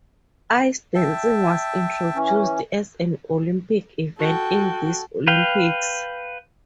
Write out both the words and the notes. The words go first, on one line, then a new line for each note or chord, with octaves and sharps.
Ice dancing was introduced as an Olympic event in these Olympics.
E5 G5 A5
E3 C#4
F#4 A4 G5
B4 F5 G5